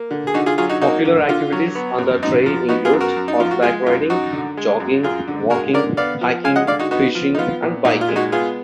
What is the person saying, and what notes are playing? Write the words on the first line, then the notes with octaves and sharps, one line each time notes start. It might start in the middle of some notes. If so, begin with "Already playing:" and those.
Popular activities on the trail include horseback riding, jogging, walking, hiking, fishing and biking.
Already playing: A#3
D3
G#4
D3 D#4 F#4
F4 G#4
F#3 F4 G#4
D#4 F#4
A#3 D#4 F#4
D3
D3 F4
F#3
B3
F#2
F#2 D#4
F3
B3 D#4 F#4
F4 G#4
F#2
F#4 A#4
F#2
D#4
F3 F4
F#4
G#3 F4 G#4
F#2 F4
F#2 D#4 F#4
D3
G#3
F#2
F#2 F4 G#4
D3
G#3 F#4 A#4
D3 A#4 D5
B3 D5 F5
F3
G#3 F5 G#5
D#5 F#5
D3 D5 F5
D#4 F#4
B3 D#4 F#4
F3
D#4
B3 F4
A#2
A#2 D#4
F4
G#3
D#4 F#4
B3 F4 G#4